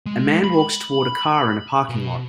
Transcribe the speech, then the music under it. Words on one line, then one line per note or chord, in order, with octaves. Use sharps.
A man walks toward a car in a parking lot.
G#3
B5
B2